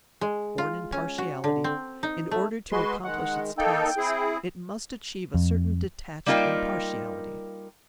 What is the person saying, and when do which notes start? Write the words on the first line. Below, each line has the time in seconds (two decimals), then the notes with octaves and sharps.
Born in partiality, in order to accomplish its tasks it must achieve a certain detached impartiality.
0.21 G#3
0.58 F4
0.92 C#4
1.18 F#4
1.44 D3
1.64 C4
2.03 D#4
2.31 A3
2.72 G#3 F#4 B4 C6
3.04 D#3 G#3 F#5
3.58 A#3 D#4 A4 G5
3.97 C4 E4 G#4
5.34 F2
6.26 G3 A#3 D#4 F4 A#4 G5